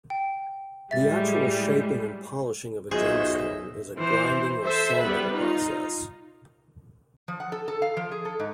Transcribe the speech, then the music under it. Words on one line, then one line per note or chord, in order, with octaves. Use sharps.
The actual shaping and polishing of a gemstone is a grinding or sanding process.
G5
A2 G3 G#3 E5 A6
B1 F4 F#4 G#4 C5 D#5 E5
E3 C5
A4 C5 E5
G3 B3 B4
D#4 F4
F3
F#5
A4
A4
F5
F3
G#4
A4
G#2